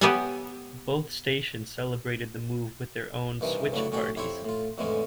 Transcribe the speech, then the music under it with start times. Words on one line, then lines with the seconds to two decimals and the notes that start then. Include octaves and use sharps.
Both stations celebrated the move with their own "Switch Parties".
0.01 B3 G4 C#5 E5 F#5 G#5
3.41 G2 C3 D#3 E3
3.72 C#3 F#3 A3 D4 E4
3.92 A2 C#4 F#4 G4 D5
4.16 F2 E4 G4 C5 C#5 E5
4.45 A2 F4
4.78 F2 A2 D3 E3 G#3 C#4